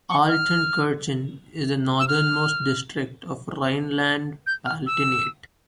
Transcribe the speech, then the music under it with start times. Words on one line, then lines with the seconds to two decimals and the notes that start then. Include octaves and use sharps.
Altenkirchen is the northernmost district of Rhineland-Palatinate.
0.09 C#6
0.29 F6
1.99 E6
2.08 F6
4.47 G6
4.66 F6
4.87 E6